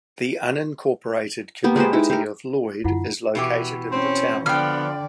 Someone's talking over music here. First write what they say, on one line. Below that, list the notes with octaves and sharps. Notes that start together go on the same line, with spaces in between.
The unincorporated community of Loyd is located in the town.
A#3 B3 G4
G#3 G4 B4 C5
D#4 E4
G4 A#4
F#2 D3 E4 F4 F#5
B2 E3 G4
C4 C#4
D3 F3 B3 D5 G5 F6